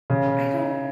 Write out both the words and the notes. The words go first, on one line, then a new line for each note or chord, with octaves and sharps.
I don't
C#3